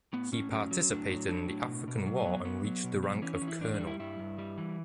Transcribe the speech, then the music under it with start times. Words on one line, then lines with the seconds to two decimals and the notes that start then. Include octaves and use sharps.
He participated in the African War and reached the rank of Colonel.
0.13 A2 B3
0.32 A2 C#4
0.51 F#3 C#4
0.71 F#3
0.90 A2 D4
1.10 F#3
1.29 F#3 D4
1.49 A2
1.68 B2
1.88 B2
2.06 F#3
2.25 F#3 B3
2.45 F#3 B3
2.65 F#3
2.84 B2
3.03 F#3
3.22 E3 C#4
3.35 C#4
3.42 E3
3.48 E4
3.61 G2 D4
3.74 D4
3.81 G3
3.87 E4
3.99 G2 E4
4.19 G2
4.38 G3
4.58 E3